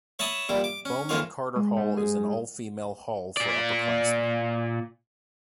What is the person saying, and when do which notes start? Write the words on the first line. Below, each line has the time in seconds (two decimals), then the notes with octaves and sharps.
Bowman-Carter Hall is an all-female hall for upperclassmen.
0.19 C#5 E5 A5 B5 D#6
0.49 A#2 G3 E4
0.64 D6
0.85 C#4
1.09 F2 E3 A#3 F4 C#5
1.56 G#3
1.77 G#2
1.97 G#4
3.37 A#2 D5